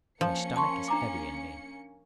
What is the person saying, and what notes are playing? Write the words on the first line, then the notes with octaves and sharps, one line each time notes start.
My stomach is heavy in me.
F3 A#3 C#4 C#7
A5 C6 C#6
D4 A#5 D6